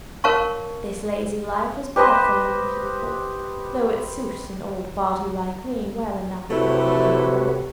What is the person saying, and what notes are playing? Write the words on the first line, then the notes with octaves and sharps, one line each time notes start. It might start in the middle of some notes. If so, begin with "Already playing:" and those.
This lazy life is bad for young people, though it suits an old body like me well enough in calm weather.
A#4 C#5 F5 A5 C#6
G4 B4 C5 D#5
C3 A3 E4 F#4 A4 B4 C#5